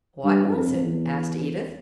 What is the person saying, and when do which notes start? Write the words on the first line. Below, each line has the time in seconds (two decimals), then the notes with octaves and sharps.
"What was it?" asked Edith.
0.24 G2
0.44 G2
0.54 F2
0.74 F2
0.83 E2